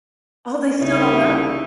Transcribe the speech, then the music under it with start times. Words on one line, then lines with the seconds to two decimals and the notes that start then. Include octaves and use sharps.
Oh, they still don't know.
0.80 C2 C#3 D#4 E4